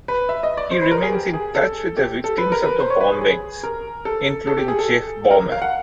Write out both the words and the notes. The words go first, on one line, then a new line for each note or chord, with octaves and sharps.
He remains in touch with the victims of the bombings, including Jeff Bauman.
B4
E5
D#5
D5
C5
B4
A#4
G#4
G4
G#4
A4
G4
A4
B4
A#4
B4
C5
C#5
B4
G#4
G#4
A#4
A4
A4
G4
G#4
A4
A#4
F5
F#5